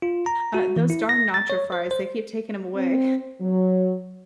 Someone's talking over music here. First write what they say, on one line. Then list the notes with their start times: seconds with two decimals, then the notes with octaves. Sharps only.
Uh, those darn nacho fries, they keep taking 'em away.
0.02 F4
0.26 A#5
0.54 F#4
0.76 E3
0.90 E4
1.09 A#6
1.34 A6
1.50 C#5
1.72 C5
1.91 C5
2.75 C4
3.41 F#3